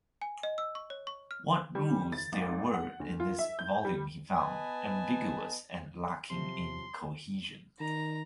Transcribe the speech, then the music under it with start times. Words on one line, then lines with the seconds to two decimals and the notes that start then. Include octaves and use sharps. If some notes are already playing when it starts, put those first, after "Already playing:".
What rules there were in this volume he found ambiguous and lacking in cohesion.
0.22 G#5
0.43 D#5
0.58 E6
0.75 C#6
0.90 C#5
1.07 C#6
1.31 F6
1.75 G3
2.12 A6
2.32 G#1
2.74 F#5
3.00 D2
3.20 F4
3.39 E5
3.59 G6
3.85 G3
4.36 B3 B4 D#5 G#5 A5
6.30 C3 F3 F#3 C6
7.80 D#3 A#5